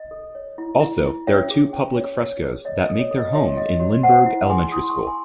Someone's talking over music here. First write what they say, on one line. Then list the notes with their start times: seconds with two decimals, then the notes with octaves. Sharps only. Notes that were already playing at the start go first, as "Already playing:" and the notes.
Also there are two public frescoes that make their home in Lindbergh Elementary School.
Already playing: D#5
0.11 A4
0.35 C#5
0.58 E4
0.80 E4
1.04 E4
1.27 C#4 C#5 E5
1.50 G#4
1.73 C#4
1.96 C#5
2.19 C#5
2.43 G#4
2.65 C#5 D#5
2.83 D#5
2.89 A4
2.99 C#5
3.11 A4
3.18 D#5
3.35 F#4 C#5 E5
3.57 C#5 D#5
3.80 F#4 C#5
4.03 C5 F#5 A5
4.26 E4
4.50 G#4 G#5 C6
4.72 E4 C6 D#6
4.83 C6
4.90 A5 C#6
4.96 E4
5.07 G#5 C6